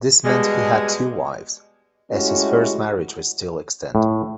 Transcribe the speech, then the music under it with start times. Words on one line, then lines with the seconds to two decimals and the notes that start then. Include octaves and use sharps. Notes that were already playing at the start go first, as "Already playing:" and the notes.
This meant he had two wives, as his first marriage was still extant.
0.25 B2 G3 G#3
2.12 G#3 A3 C#4 E4 F#4 G4
3.95 A2